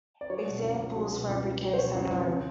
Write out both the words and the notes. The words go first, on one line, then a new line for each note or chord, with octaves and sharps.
Examples for every case are known.
D5
F#3 C#5
B2
C#2
C#2
F#3
B2
C#2
C#2
F#3
C5
B2 C#5
C#2
C#2
C#3